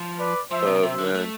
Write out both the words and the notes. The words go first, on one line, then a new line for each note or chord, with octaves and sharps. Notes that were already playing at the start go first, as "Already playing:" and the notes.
Oh, man.
Already playing: F3
B4 D5
F3 C5 E5
C3
C3 C5 E5
D3
A3